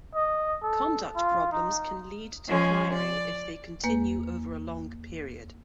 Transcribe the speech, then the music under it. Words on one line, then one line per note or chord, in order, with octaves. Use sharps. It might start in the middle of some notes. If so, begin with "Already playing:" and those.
Conduct problems can lead to firing if they continue over a long period.
D#5
A4
F4
D#4
F3 G#3 C#4
D5
E2 A#3 B4